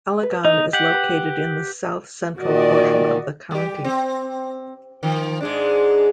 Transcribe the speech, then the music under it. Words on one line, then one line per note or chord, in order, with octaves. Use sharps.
Allegan is located in the south-central portion of the county.
B4
D#4 D#5
G4 F#5
B4
A#2 D#3 F#4 D5 D#5
G3 G4
C4
D#3 F3
G#2 G#3 D4